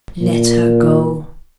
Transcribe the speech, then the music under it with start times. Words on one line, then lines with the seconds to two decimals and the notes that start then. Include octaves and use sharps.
Let her go!'
0.21 A#2